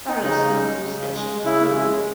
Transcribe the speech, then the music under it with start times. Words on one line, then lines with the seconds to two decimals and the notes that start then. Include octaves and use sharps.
Barre is home to Stetson School.
0.08 D#4
0.23 C#3 D#4
0.54 G#3
0.84 C#3
1.14 G#3
1.45 C#3 E4
1.75 G#3